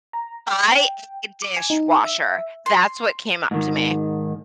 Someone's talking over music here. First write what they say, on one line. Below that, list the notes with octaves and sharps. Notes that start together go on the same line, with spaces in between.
"Buy a dishwasher," that's what came up to me,
A#5
G5
D6
G#5
D#4
E5
C6
G#2 D#3